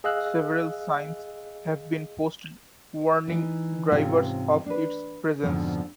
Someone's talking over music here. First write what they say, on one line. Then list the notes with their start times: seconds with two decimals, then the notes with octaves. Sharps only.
Several signs have been posted warning drivers of its presence.
0.04 G#4 D#5 F5 E6 F#6
3.28 E3 D#4
3.91 G#2 C3 C4 C#4 F4
4.66 D4 B4
5.42 F2 G#2 B2 D3 F3